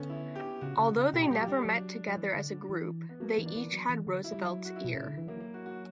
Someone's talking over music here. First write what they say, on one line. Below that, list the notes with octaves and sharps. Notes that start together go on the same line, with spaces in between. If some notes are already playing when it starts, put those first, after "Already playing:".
Although they never met together as a group, they each had Roosevelt's ear.
Already playing: D3 B3 C#4
E4
G4
C#3 F#4
C#3
C#3
B2 G4
G3 G4
F#3
G3 D4
G3
F#3
F#3
E3
D3
D3
E3
B3
F#3 A#3
E3
D4
E3
F#3
E3
D3
F#3 E4
G3
F#3
F#4
E4
B2
C#3
D3
E3
F#3 A#3
A#3
F#4
F#4